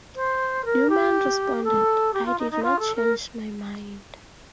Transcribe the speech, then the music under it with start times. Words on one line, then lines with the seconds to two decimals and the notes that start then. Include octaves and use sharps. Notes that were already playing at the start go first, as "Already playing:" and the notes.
Neumann responded: I did not change my mind.
0.15 C5
0.65 A#4
0.90 G4
1.64 A4
2.13 G4
2.26 F4
2.39 D#4
2.51 D#4
2.63 F4
2.79 A4
2.95 A#4